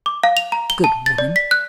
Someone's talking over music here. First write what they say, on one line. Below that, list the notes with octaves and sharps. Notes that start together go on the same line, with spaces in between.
Good woman!
D6
F5
F7
A#5
G7
A5
A6
D5
B6
F#6